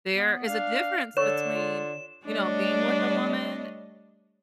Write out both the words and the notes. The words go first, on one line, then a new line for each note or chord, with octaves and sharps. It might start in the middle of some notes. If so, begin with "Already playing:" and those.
There is a difference between, you know, being with a woman
B3
D4 F5
D3 A4 C#5 C#6 E7
F4
G3 A3 D4 C#5 D#5